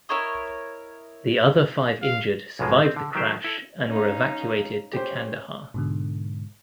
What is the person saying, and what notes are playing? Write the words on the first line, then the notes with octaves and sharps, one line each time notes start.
The other five injured survived the crash and were evacuated to Kandahar.
E4 A#4 C#5 D#5
F5
B1 G#2 B2 F3 G#3
C4
D3
D#3 F#3 A3 G4 C5
E4 A4
C#4 D#4 F5
C#4 G4 C5
G#2 B2 D3